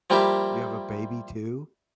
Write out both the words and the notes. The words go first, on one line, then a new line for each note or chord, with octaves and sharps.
You have a baby too?
F3 G3 A#3 E4 G4